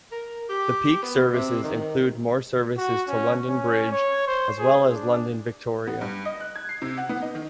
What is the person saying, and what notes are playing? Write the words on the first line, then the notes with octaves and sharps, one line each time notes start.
The peak services include more services to London Bridge as well as London Victoria.
A#4
G4
B3
C3
D#3
F#4
C#4
C#4
C#5
C5
G#4
D4
B3
G2
D#5
F#6
G#6
C7
C3
F#5
B3
D#4
D#3